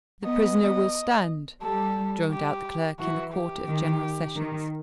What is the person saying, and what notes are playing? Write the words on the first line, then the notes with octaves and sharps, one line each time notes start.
"The prisoner will stand," droned out the clerk in the Court of General Sessions.
B3 D#5
G3 A4
G4
E3 F#4
G4
D#3
D#3